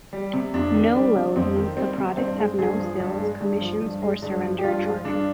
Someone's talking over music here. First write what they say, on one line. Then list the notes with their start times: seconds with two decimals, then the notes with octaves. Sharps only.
"No-load" means the products have no sales commissions or surrender charges.
0.13 G3
0.33 C3
0.54 F2 D4
0.74 D#3
0.95 G3
1.15 C3
1.36 F2 C4
1.56 D#3
1.77 G3 C4
1.97 C3
2.17 G2 C4
2.38 G#3
2.58 G2 G#4
2.80 F3
3.00 G2
3.20 G#3
3.41 G2
3.61 F3
3.81 G2
4.02 G#3
4.23 G2
4.43 F3
4.58 G4
4.64 G2 F4
4.84 G#3
5.05 G2 D4